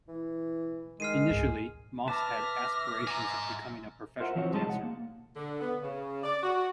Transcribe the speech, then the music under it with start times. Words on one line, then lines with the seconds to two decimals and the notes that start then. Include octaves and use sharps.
Initially, Moss had aspirations of becoming a professional dancer.
0.08 E3
1.00 D#3 G#3 F6 C7 D#7
1.30 C#2 G#2 G#4
2.08 B4 E5 A5 D6 F6 A#6
3.07 G#5 A#5
4.20 F4 A#4 C5 E5 F#5
4.35 E3 F3 C4 F#4 C#5
4.52 F2 G3 G#3 D#4 F4 A5
4.66 C2 F#5
4.83 A#3
5.36 D3
5.60 B3
5.82 C#3
6.24 D5
6.43 F#4